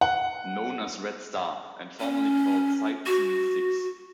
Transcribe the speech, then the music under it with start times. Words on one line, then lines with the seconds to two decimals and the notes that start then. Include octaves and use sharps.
Known as "Red Star", and formerly called the "Sight Seein' Sixth".
0.01 F#5
2.00 C#4
3.06 F#4